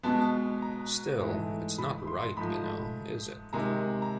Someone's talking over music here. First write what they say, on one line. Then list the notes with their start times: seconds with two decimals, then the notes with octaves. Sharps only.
Still, it's not right, you know; is it?
0.03 B2 G#3 B3 A5
0.62 A#5
1.20 G#2 E3 A3
1.78 B5
2.07 C6
2.37 G#2 F3 A3 B5
3.53 C3 D#3 G#3 A#5
4.02 A#5